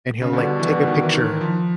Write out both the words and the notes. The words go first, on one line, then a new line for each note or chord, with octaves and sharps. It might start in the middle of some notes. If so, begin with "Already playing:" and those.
and he'll, like, take a picture,
C#3
B2 D3 G3 B3 D4 F#4
E3
D#3
E3
D#3
F3